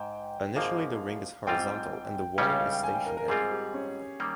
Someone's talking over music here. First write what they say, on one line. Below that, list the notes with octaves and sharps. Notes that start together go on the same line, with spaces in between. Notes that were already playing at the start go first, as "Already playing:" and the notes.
Initially the ring is horizontal and the water is stationary.
Already playing: G#2 G5
G#1 G#2 F3 A#3 F5
G#2 G3 C4 F4 G5
C#2 C#3 G3 C#4 G5
F5
F5
G5
G#5
G5
A#4
A#4
G#2 G3 C4 F4 G#4
G4
C#4
D#3 G3 A#3